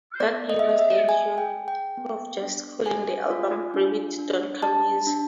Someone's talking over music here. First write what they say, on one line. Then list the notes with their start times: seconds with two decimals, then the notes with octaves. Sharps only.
That gave us the idea of just calling the album "Rabbit Don't Come Easy".
0.20 B3 D5
0.50 D#5
0.59 E5
0.64 G#4 D#5
0.79 E5
1.09 G#4 G#5
1.38 G5
1.52 G#4
1.68 G5
1.97 B3
2.42 D4
2.85 G#4 G#5
3.30 F4
3.74 D4
4.19 D4
4.62 G4 A5
5.07 D4